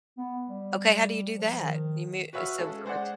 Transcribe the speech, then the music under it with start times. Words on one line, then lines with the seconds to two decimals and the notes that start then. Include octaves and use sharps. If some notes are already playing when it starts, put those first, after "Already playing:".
Okay. How do you do that? You mute eh, so from a t
0.18 B3
0.48 G3
1.37 F3
1.61 D#3
2.33 F#4 B4 C#5 E5 F5
2.59 G#3 C#4 A4
2.86 G#3 C5 D5 F#5